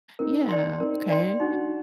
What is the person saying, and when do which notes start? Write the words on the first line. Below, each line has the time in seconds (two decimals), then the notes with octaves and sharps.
Yeah, okay,
0.19 C4 D#4 A#4
0.49 D5 G5 C6
0.80 C4 D#4 A#4
1.10 D5 G5 C6
1.40 D4 D#4 F#4